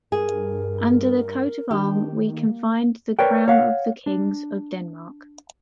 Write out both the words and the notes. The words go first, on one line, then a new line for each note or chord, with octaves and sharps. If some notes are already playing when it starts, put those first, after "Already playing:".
Under the coat of arm, we can find the crown of the Kings of Denmark.
G2 G#4 A#4
D#3 D4 G4
A#3
A#4 B4 C#5 D5 G5
C#5 F5 F#5
D4